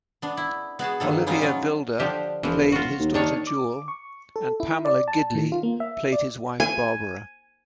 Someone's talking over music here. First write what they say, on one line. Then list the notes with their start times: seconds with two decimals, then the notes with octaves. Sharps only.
Olivia Wilde played his daughter Jewel and Pamela Gidley played his wife Barbara.
0.22 B3 D4
0.37 E4
0.79 B3 F#4 G#4 A5
1.00 G2 D#3 A#3 A4
1.27 E3 F#3 G3 C#4 D#4 F4
1.41 F#3 B3 C#4 F4
1.99 D3 F3 G4
2.43 E1 E3 F3
2.72 F4 F#4
2.99 D#2
3.14 D#3 D4 C#5
3.47 D6
3.88 C#6
4.36 A4
4.60 E4
4.85 D5
5.08 A5
5.35 D#3
5.52 F4
5.63 A#3
5.80 E5
6.12 D5
6.60 G#5